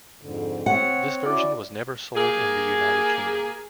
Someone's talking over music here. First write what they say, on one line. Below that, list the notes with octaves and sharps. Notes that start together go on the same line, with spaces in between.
This version was never sold in the United Kingdom.
F2 G#2 D3
C4 C#5 F#5
C#4 E4 F#4 D5
A#3 G4 G#4